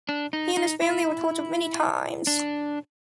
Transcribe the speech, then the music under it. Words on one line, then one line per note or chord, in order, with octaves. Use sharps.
He and his family were tortured many times.
D4
D#4
D#4
E4
D4